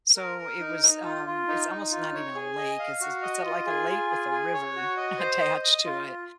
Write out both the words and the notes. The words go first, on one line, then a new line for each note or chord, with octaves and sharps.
so it was, um it's almost not even a lake, it's it's like a lake with a river attached to it,
A#4
A#4
D#4
D#4
F4
F4
D#4
D#4
F4
C#5
G#4
D#5
F5
F#4
D#5
F4
G#4
F4
G#4
G#4
C#5
F#4
D#5
C5
D#5
D#5
F4
F4